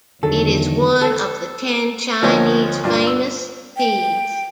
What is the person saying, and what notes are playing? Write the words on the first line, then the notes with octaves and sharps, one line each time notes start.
It is one of the ten Chinese Famous Teas.
E2 D3 D#3 F#3 A4
A4
D2 F3 B3 C#5 D#5
G2 D4 F4
E6
G5